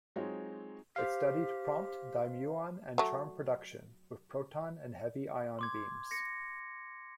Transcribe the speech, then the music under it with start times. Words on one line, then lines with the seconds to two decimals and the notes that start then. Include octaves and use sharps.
It studied "prompt dimuon and charm production with proton and heavy ion beams".
0.16 F#3 G#3 C4 D#4 F4 C#5
0.96 G4 C5 F5
2.98 F#3 A3
5.59 C6 D6 G#6
6.11 A#6 C#7